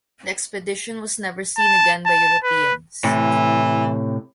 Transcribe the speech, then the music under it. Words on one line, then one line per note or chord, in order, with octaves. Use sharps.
The expedition was never seen again by Europeans.
A5
A5
B4
A2 C3 E3